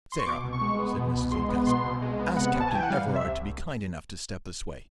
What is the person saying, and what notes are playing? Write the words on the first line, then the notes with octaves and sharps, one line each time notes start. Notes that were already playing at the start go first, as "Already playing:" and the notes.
"Sarah," said Mrs Oldcastle, "ask Captain Everard to be kind enough to step this way."
C6
C#6
B2 D6
C2
C#6
G#3
B3
B2
C2
G#3 C6
B3
B2 C6
C2
G#3
B3
C3 F#5
C2
A5
G#5
E3 G5
F#5
G3 F5
C3
E5
C2